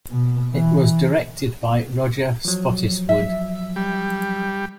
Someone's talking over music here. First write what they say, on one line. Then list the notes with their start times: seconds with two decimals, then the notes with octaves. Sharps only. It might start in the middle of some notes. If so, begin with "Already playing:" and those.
It was directed by Roger Spottiswoode.
0.10 B2
0.53 E3
2.45 F3 F#3
3.09 E5
3.76 G3